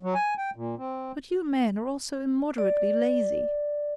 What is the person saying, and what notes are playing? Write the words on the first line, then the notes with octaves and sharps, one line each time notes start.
But you men are all so immoderately lazy!
F#3
G#5
G5
A#2
C4
D5